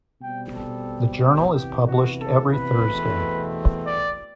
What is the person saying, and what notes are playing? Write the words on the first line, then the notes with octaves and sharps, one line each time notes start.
The journal is published every Thursday.
B2 G3 C4 G5
A4
G4
C3 E3 B3 G4
F#4
A4
B4
E2 B2 A3 C4
D5